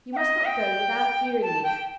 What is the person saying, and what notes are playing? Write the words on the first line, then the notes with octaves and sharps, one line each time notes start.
You must not go without hearing me.
G5
D#5
G5
A5
G5